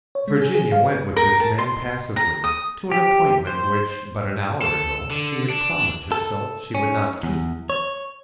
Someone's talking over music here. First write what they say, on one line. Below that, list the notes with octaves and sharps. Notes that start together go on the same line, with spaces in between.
Virginia went with this man passively--to an appointment which, but an hour ago, she had promised herself she would not keep.
C#5
G#3
G#4
G#4
F5
B4
A#4
A5
C6
A#5
D#6
G4
C5
A4
D3
D4
A4
C#4
E2
C#5